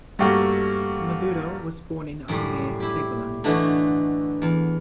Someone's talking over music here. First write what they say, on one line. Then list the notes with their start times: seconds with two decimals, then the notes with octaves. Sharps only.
Maduro was born in Almere, Flevoland.
0.19 G2 A3 A#3 F#4
2.28 F#2 A2 G3
2.80 E4 G4
3.44 D3 E3 A3 D4 D#4 F#4
4.42 E2